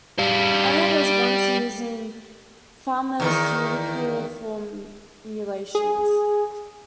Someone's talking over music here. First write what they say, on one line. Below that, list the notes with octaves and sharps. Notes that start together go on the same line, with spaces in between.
Ether was once used in pharmaceutical formulations.
G3 F5
E2 D3 D#3
G#4